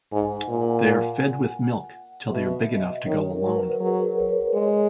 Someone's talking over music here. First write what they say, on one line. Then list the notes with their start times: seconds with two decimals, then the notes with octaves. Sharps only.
They are fed with milk till they are big enough to go alone.
0.12 G#2 G#5
0.37 F#5
0.49 A#2
0.61 F#5
2.32 B2 E5
2.69 D#5
3.06 D#3 C#5
3.31 A#4
3.43 F#3 A#4
3.55 B4
3.80 F#3 G#4
4.04 A#4
4.19 C#5
4.29 B4
4.53 G#3 C#5